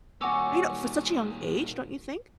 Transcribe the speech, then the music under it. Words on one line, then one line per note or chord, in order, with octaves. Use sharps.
I know for such a young age, don't you think?
A#2 D#3 F#4 C#5 G#5 D6 E6